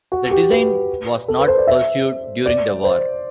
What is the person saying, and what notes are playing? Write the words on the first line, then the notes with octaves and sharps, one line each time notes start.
The design was not pursued during the war.
F#4
G4
B4
A4
B4
C5
D5
E5
D5
C5